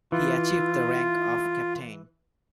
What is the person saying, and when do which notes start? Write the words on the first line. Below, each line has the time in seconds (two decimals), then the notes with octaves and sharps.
He achieved the rank of captain.
0.12 E3 F4